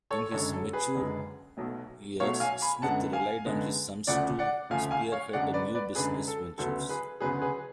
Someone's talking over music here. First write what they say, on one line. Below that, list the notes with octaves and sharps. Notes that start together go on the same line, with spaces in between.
In his mature years, Smith relied on his sons to spearhead new business ventures.
A4 C#5
F#1 F#2 D3 G#3 A4 C#5
A4
G#4 B4
F#1 F#2 D3 G#3
B1 B2 F#3 A3
B1 B2 F#3 A3 C#5 F5
F5 G#5
G#5 B5
F#2 D3 G#3 B3 F#5 A5
F5 G#5
F#2 D3 G#3 B3
D2 C#3 F3 A3 D5 F#5
D5 F#5
D2 C#3 F3 A3 F5 G#5
F5 G#5
C#5 F5
F#2 D3 G#3 D5 F#5
B4 D5
B4 D5
F#2 D3 G#3 G#4 B4
A4
D2 C#3 F#3 B3 A4
G#4 B4
D2 C#3 F#3 B3 G#4 B4
G#4 B4